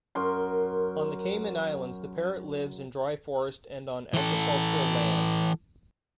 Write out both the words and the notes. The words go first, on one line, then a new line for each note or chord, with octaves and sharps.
On the Cayman Islands the parrot lives in dry forest and on agricultural land.
F#2 A#4 C6
E3 A4